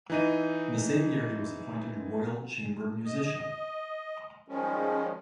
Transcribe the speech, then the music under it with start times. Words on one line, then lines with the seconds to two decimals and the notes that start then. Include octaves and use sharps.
In the same year he was appointed Royal chamber musician.
0.10 E3 D#4 D#7
3.05 D#5
4.48 D#3 F3 G3 G#3 C#4